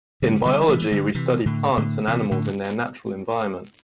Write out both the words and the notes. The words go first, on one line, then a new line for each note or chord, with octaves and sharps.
In biology we study plants and animals in their natural environment.
D3 G3
D3 G3
E3 A3
A3
D3 G3
C3 E3
A2 D3
A2 D3
C3 E3
A2 D3